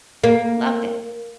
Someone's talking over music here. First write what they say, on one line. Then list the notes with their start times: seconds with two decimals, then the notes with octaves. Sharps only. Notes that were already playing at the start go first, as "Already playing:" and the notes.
Loved it.
0.23 A#3